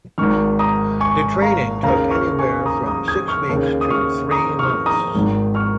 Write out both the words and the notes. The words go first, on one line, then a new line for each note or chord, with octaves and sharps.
The training took anywhere from six weeks to three months.
G#1 G#2 D#3 C#6 F6
A#5 D#6
G#5 C#6
F5 A#5
D#2 C#3 F5 A#5
C#6 F6
G#5 C#6
A#5 D#6
A#5 D#6
D#6 G#6
C#6 F6
D#2 C#3
D#6
C#6 F6
A#5 D#6
C#6 F6
A#5 D#6
G#1 G#2 D#3
C#6 F6